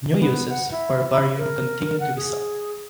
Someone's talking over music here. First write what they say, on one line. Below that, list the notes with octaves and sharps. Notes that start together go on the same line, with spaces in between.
New uses for barium continue to be sought.
B3
F#5
E4
B5
A#4
F#5
G#4